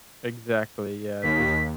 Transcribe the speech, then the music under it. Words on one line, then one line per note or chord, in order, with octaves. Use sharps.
Exactly, yeah, just
D#2 B6